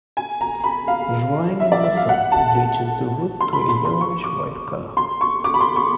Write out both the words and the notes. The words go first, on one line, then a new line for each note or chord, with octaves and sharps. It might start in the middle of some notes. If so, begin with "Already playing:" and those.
Drying in the sun bleaches the root to a yellowish-white color.
G#5
A#5
B5
F5
E5
D5
E5
F5
F#5
A5
C6
B5
C6
C6
C#6
D6
C6
C#6
D6
B5
C6
C#6